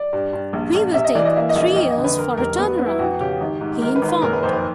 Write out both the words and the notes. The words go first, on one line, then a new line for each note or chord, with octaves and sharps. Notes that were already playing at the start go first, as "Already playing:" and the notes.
"We will take three years for a turnaround," he informed.
Already playing: D5
G2
G2
A#1
A#1
C3 E5
D#5
E3 D5
D#5
A#3 E5
D#5
A#1
D#5
F2 D#5
D#5
D3
B4
F2 A#4
F1 A#4
B3 B4
B3
E4
F2 F#4
C#3 G4
G#1
G#2
G#1 A#4
B4
G#1
B4
F#1 A#4
B4
F2 C5
B4